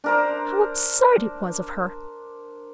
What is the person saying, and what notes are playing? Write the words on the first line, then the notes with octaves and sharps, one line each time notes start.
How absurd it was of her!
D4 A#4 C5